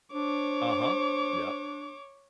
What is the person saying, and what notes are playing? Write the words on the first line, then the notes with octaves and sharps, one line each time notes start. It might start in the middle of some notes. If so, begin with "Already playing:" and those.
Uh-huh, yep.
D4 C5 C#5 D6